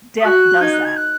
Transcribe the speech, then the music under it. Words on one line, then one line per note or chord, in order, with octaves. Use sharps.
Death does that.
D#6
F#4 F#6
D#4 G#6
F#6
G#6
F#6